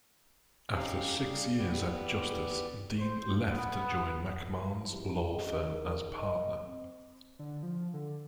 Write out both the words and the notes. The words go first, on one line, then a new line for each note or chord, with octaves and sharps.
After six years at Justice, Dean left to join McMahon's law firm as partner.
C4 C#4 D#4 G4 F5
G3 G#4 D5 F5
E3 B3 G4 B4 D5
C5
B3
F#2 C3 E3 F3 G3 G#3
D2 C#3 G4 D#5
C#3 C#4 D#4 A#4
D#5
C4
D3
F3
D3